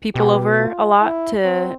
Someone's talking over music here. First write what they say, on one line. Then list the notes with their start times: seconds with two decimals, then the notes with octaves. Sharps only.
people over a lot to
0.15 B2 G4
0.58 F4
1.01 E4
1.44 C4